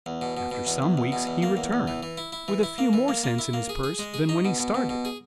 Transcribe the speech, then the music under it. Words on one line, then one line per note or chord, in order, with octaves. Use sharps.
After some weeks he returned, with a few more cents in his purse than when he started!
E2
B2
B2
B2
E2
E2
E2
B2
E2
A#3
E2
E2
E3
E3
E4
E4
E3
E4
A#3
E3
A#3
A#3
E4
A#3
G#4
G#4
G#3
G#4
D#4
B2
B2
B2
B2
G#4